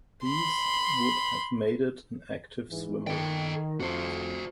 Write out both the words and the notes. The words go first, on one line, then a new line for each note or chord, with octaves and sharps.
These would have made it an active swimmer.
B5 C6
G#2 E3
D#3 A4 G5
F2 F#4 C5